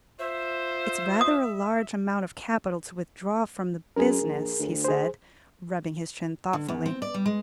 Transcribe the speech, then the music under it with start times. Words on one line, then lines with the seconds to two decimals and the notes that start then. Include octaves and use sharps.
"It's rather a large amount of capital to withdraw from the business," he said, rubbing his chin, thoughtfully.
0.19 F4 C5 E5
1.21 D#6
3.96 F#2 G#4 A#4
4.21 A#1
4.59 D2
4.85 G#4 C5
6.53 D3
6.68 E2
6.86 C4
7.02 D5
7.14 G3
7.26 G#3